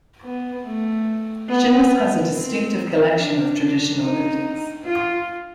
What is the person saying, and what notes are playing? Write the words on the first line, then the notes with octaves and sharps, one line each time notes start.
Shinas has a distinctive collection of traditional buildings.
B3
A3
B3
C4
D4
D4
D#4
F4